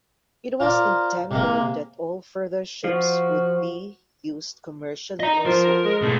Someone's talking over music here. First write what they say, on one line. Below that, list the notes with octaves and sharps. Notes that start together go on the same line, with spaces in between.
It was intended that all further ships would be used commercially or sold.
F4 A#4 C5 D5
C3 G#3 A#3
F3 F#4
D#5 A#5
F3 A#4
G#3
B2 A3